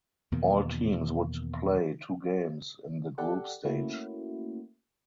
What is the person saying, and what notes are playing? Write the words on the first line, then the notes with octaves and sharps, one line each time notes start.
All teams would play two games in the group stage.
E2 B2 D#3 A#3
G4 A4 D5 F#5
A3 A#3 C#4 E4 F#4